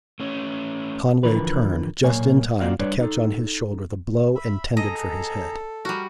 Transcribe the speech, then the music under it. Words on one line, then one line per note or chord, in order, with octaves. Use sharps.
Conway turned just in time to catch on his shoulder the blow intended for his head.
A3 C#4
D3 E3 F3 A#4 B4
B1 A#2 A#3 C#5 G#5
A#3 F4 F#4 D5 F5
G3 D4 B4 C#5 D5
D#4 A4
E5 B5
G#4 A4 D#5 A#5
G3 F#4 A#4